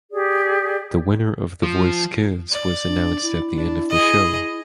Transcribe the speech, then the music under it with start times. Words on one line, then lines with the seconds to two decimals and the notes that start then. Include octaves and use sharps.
The winner of The Voice Kids was announced at the end of the show.
0.12 G4 G#4 D5
1.63 F3
2.51 D5
2.87 D4
3.22 E4
3.56 D4
3.89 G#4 D#5